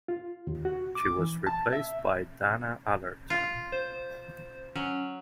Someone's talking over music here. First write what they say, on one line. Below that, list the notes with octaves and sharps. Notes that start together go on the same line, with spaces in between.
She was replaced by Dana Allerton.
F4
D#2
F#4
D6
E3
A5
E5
F4
C5
F#3 C#4